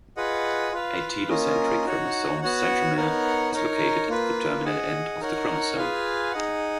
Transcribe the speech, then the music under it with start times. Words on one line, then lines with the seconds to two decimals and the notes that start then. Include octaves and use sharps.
A telocentric chromosome's centromere is located at the terminal end of the chromosome.
0.17 F4 G#4 B4 D#5 F#5
0.72 F4 B4 F5
1.29 A#3 C#4 F4 A#4 D#5
1.85 D#4 F#4 C#5 F#5
2.41 B3 F#4 C#5 F#5
2.97 B3 D#4 A#4 C#5 F#5
3.53 D#4 A#4 C#5
4.09 A#3 F4 B4
4.65 G#4 D#5 F#5
5.20 D#4 A#4 C#5 F#5
5.77 F4 G#4 B4 F5 G#5
6.32 D#4 G#4 D#5 F#5